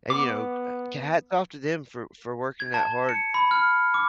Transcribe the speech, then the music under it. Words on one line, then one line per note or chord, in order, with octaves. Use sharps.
and you know, uh, hats off to them for for working that hard,
B3 D6
G#6
A5
C#7
B5
F6
D6